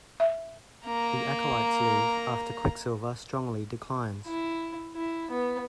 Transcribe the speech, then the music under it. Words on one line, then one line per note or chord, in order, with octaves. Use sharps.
The Acolytes leave after Quicksilver strongly declines.
E5
A#3 A#5
E4
E4
B3